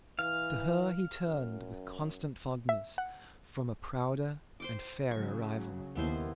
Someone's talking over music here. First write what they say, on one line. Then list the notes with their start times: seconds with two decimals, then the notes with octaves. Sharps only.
To her he turned with constant fondness from a prouder and fairer rival.
0.19 E3 F5
1.26 F#2
2.69 E5
2.98 F#5
4.60 C5 G5 D6
5.11 C#3 F#3 C#6
5.95 D#2 B3 E4 C5